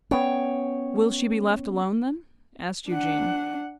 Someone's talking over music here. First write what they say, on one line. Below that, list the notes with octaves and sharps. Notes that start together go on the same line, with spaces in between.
'Will she be left alone then?' asked Eugene.
B3 C#4 C#5 G5
D4 F#5